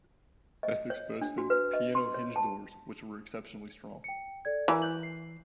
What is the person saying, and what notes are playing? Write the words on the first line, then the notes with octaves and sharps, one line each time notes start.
Essex boasted "piano hinge doors" which were exceptionally strong.
D#5
C#5
D4
F#4
B4
D#5
C6
C#5
A5
G5 C#7
A4 D5 G#6
E3 A#4 E5 A#5
F#6 G6 F#7
C7